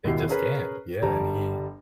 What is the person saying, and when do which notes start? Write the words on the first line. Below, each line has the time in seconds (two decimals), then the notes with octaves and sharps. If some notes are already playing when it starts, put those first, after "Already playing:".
It just can't, yeah, and he
0.04 G#1 D#2 B2 E4 G4 C7
0.29 C#4 G#4 A#4 B4
1.02 G1 G3 A5 A#5